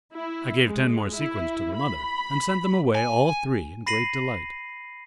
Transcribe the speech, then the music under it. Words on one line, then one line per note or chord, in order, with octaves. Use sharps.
I gave ten more sequins to the mother, and sent them away all three in great delight.
E4
G#3
E4
B5
G#5
B5 A#6 C7 D#7 F#7